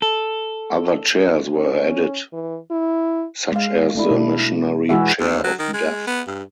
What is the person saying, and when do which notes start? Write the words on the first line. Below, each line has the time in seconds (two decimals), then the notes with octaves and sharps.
Other chairs were added such as the Missionary Chair of Duff.
0.02 A4
1.52 C#4
2.33 E3
2.71 E4
3.52 G#3 F5
3.95 A3 D4 E4
4.11 B2 E4
4.89 E3 G#3 E4 F#4 G#4 E5
5.20 D#2
5.44 F#3
5.59 D#3
5.74 G#3
6.07 B3
6.27 G2